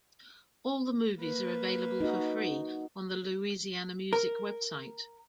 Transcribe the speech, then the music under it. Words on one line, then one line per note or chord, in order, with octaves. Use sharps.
All the movies are available for free on the Louisiana Music website.
A#3 B4
D#4 F#4
A#4